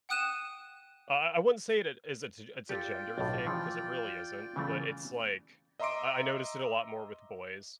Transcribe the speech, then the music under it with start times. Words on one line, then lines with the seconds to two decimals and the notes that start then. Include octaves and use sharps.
uh, I wouldn't say it it is a t it's a gender thing 'cause it really isn't, but it's like, I I noticed it a lot more with boys,
0.09 F#5 G5 D#6 F#6 D#7 E7
2.69 F4 G4 A4 D5 G5
3.18 B1 A2
3.47 E3 F3
4.56 C#3 E3 A3
5.80 D#5 E5 A#5 C6 D6 D7